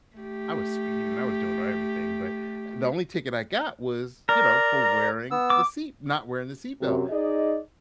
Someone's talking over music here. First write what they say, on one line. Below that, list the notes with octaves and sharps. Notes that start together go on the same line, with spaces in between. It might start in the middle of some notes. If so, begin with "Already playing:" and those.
I was speeding, I was doing everything, but the only ticket I got was, you know, for wearing the seat not wearing the seat belt.
A3 G4
A#4 D5 A#5
B3 E6
D6
F#2 C3
D#4 G#4 D5 D#5